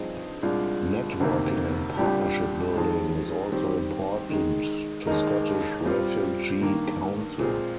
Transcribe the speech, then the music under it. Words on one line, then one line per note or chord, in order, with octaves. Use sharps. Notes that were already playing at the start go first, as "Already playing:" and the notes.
Networking and partnership-building is also important to Scottish Refugee Council.
Already playing: G2 F3 C4 D#4 G#4
C2 A#2 G#3 D4 F4
D2 C3 D#3 A#3
C2 A#2 G3 D4 G4
F2 D#3 G#3
D#3 G3 C4 G4
D#3 G#3 D#4
D#2 D#3 G#3 D#4 A#4
A#2 G3 C4 F4
G2 D#3 A#3
A#2 G#3 C4 F4 G#4